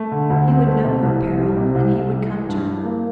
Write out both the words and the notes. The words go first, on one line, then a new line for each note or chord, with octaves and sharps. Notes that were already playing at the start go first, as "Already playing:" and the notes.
He would know her peril and he would come to her.
Already playing: A3
D3
D2
C4
A3
C3
C2
C2
G3
C3
C2
C2
G3
E3
G2
E4
A#3